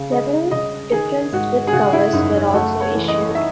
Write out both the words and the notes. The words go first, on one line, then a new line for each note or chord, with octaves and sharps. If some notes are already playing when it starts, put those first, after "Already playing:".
Several different slip covers were also issued.
Already playing: C#3
G#3 D#5
C#3 D#5
D#3 G#4
G#2 F#4
G#4
C#3 F#4
E4
F#2 D#4
C#4
A3 F#4
C#5
E3
D#5
D#4 E5